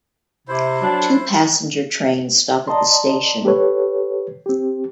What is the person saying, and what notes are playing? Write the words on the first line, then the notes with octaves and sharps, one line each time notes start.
Two Passenger trains stop at the station.
C3 E4 C5
F#3 D4
D5 D#5 A5 A#5 C6
G4 A4 B4 C#5
C4 G4